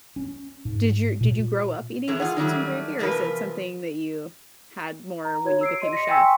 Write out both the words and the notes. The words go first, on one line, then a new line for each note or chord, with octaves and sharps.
Did you did you grow up eating biscuits and gravy? Or is it something that you had more when you became a chef?
C#4
G#2
A#2
E3 G#3 A3 C#5
F4 G#4 F#5
D#3 F#3 G3 A3
E2 C3 F3 A#4 B4
A#5
F#4 C#5 G#6
E6 C7 D7
D#5 C6 D#7
A#6 B6 C#7
G5 G#5 C6 C#6 E6